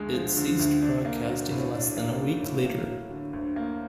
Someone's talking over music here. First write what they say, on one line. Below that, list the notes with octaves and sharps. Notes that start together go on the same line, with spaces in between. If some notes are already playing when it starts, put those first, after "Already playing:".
It ceased broadcasting less than a week later.
Already playing: D2 D3 G#3
F3
D3
D2
D4
A#3
F#3
A2
D4
A#3
F#3
A2
A#3
F#3
D3
D2
A#3